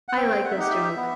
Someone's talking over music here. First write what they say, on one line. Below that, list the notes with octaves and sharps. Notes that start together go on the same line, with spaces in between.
I like this joke.
F#5
C4 G5
F#5
E5
D#4 G4 F#5
E5
B3